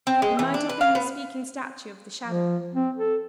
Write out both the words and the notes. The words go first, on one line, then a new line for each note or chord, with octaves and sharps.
He might have been the speaking statue of the shadow.
C4
G#3
E3
D4
B4
F5
B3
F3
C4
A4